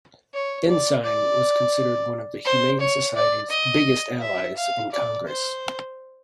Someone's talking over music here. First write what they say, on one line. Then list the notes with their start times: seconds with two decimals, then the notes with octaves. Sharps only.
Ensign was considered one of the Humane Society's biggest allies in Congress.
0.34 C#5
0.68 D5
1.04 D5
2.45 C5
2.80 C#5
3.15 D5
3.50 D#5
4.21 E5
4.56 F5
4.92 D5
5.27 C5